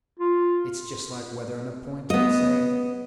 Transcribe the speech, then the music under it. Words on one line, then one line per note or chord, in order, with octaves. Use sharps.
It's just like weatherin' a point at say.
F4
B3 D#5